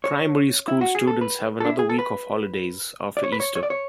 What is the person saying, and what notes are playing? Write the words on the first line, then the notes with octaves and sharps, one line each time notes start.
Primary school students have another week of holidays after Easter.
C#5
E4
F#4
G#4
A4
B4
A4
D4
E4
G#4
A4
B4
D5
C#5
B4
C#5
C#5
D5
C#5